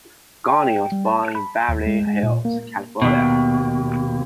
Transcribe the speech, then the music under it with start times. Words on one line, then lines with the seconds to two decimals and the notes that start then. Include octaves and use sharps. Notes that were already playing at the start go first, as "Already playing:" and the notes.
Gorney was born in Beverly Hills, California.
0.48 G5
0.92 G3
1.06 A5
1.35 B5
1.69 D#2
1.87 G#3
2.07 G#3
2.23 A#2
2.45 A#3
3.02 D#2 B2